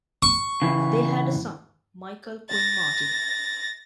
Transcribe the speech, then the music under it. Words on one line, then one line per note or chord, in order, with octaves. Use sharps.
They had a son, Michael Quinn Martin.
C#6
C#3 E3
A6 A#6